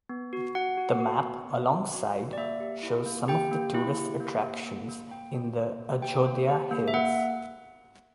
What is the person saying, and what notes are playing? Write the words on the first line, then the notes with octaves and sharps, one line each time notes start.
The map alongside shows some of the tourist attractions in the Ajodhya Hills.
B3
F#4
F#4 F#5
F#4
F#4
B3
B3
F#4
F#4
F#4
D5
A#3 E5
G4
E4
A#3
G4 G5
A#3
E4
G4
A#3
A#3
A#3
A#3
A#3 G5
A#3
A#3
A#3
G4 G5
A#3
G4
A#3
E5
A#3 F#5